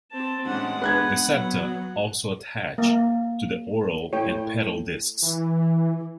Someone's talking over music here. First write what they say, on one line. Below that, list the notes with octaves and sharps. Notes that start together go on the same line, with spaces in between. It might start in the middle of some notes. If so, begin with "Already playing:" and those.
The septa also attach to the oral and pedal discs.
C4 A5
A2 G#3 C#4 D4 F#5
B3 B4 F#6 G#6
F#3
A#3
A2 C#5 G5
E3